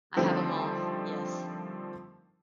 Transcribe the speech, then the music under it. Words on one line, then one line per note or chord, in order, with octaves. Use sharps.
I have 'em all. Yes.
D3 D#3 F3 G3 A3 C4